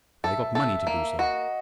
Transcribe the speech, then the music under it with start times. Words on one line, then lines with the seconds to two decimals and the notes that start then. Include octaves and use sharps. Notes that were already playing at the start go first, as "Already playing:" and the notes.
"They got money to do so."
0.24 A4 E5
0.55 A4
0.87 A#3
1.19 F#4 D#5